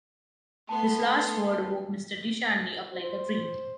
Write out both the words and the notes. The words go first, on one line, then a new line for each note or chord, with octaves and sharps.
This last word woke Mr. de Charny up like a dream.
A3 B3 A5 C6
C5